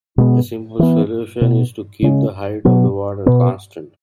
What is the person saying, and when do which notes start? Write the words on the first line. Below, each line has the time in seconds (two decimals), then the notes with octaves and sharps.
A simple solution is to keep the height of the water constant.
0.18 B2 G#3 B3
0.79 E3 B3
1.41 B2 B3
2.02 C#3 G#3 C#4
2.65 B2 F#3 B3
3.26 B2 B3